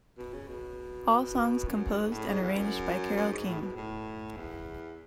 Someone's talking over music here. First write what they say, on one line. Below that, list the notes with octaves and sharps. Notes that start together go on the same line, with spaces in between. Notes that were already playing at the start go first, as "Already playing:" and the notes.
All songs composed and arranged by Carole King.
B2
C#3
B2
F#2
G#2
A2
G#2
E2
F#2
F#2
G#2
A2
B2
A2
E2